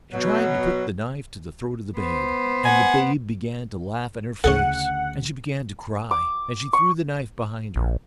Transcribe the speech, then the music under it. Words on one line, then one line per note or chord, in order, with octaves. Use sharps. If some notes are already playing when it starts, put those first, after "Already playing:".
She tried to put the knife to the throat of the babe, and the babe began to laugh in her face, and she began to cry, and she threw the knife behind her.
B2 F#3
B3 C5
F#5 G#5
D2 C#3 C#4 G#4 A4 F#5
D6
C#6
A#1